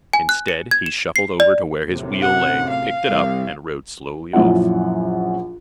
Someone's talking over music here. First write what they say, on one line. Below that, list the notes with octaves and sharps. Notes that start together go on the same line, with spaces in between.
Instead he shuffled over to where his wheel lay, picked it up, and rode slowly off.
G#5
F#6
C#7
G#6
E7
C7
D5
F#2 A2 C3
F#5
F5
C2
A#1 F#2 C#4 E4 F4 F#5